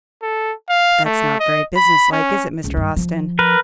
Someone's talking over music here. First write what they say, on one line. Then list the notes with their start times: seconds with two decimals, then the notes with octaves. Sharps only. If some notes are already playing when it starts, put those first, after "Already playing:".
That's not very business-like, is it, Mr. Austin?
0.22 A4
0.69 F5
1.05 A3
1.40 D#5
1.76 B5
2.12 C#4
2.64 C#2
2.77 G2
2.96 F3
3.39 A#4 B4